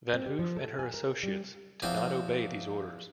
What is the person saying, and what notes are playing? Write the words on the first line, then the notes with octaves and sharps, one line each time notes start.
Van Hoof and her associates did not obey these orders.
C4
G4
F3
A4
G#5
A#4
G3
E2 F3 C4